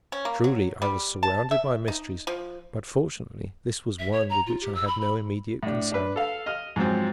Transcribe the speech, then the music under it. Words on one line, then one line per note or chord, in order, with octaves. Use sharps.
Truly I was surrounded by mysteries, but fortunately this was one with which I had no immediate concern.
C#4
A#3
F#3
G3
A5
E5
D#4
F3
E5
C#5
A#5
F4
G4
E6
B5
B5
A2 D4
D4 B4
A4 F5
D#5 F6
G#2 F3 F#3 C4